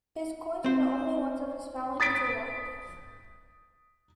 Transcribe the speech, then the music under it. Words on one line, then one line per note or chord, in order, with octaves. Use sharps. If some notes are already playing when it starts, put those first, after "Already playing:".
His coins are the only ones of his family to survive.
C4 C5
D#6 A6 B6 D7